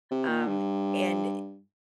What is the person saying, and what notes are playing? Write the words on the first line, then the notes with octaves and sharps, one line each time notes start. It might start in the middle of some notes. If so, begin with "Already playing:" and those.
um and
C3
A#2
G2